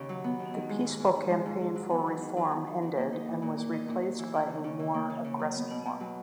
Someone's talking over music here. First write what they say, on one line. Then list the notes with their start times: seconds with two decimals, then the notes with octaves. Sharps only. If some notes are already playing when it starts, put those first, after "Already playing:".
The peaceful campaign for reform ended and was replaced by a more aggressive one.
Already playing: D#2 C#3
0.09 F#3
0.24 B3
0.39 D#2
0.54 D#3
0.70 G#3
0.85 G#2
1.00 G#2
1.15 D#3
1.30 G#3
1.46 G#2
1.61 G#2
1.76 F#3
1.90 B3
2.06 D#3
2.21 D#3
2.37 F#3
2.52 B3
2.67 D#3
2.82 D#3
2.97 A#3
3.13 D#4
3.27 A#2
3.42 A#2
3.58 A#3
3.73 D#4
3.88 A#2
4.03 A#2
4.19 E3
4.34 A#3
4.48 C#3
4.64 C#3
4.79 E3
4.94 A#3
5.10 C#3
5.24 C#3
5.39 F#3
5.55 B3
5.70 B2
5.85 B2
6.00 F#3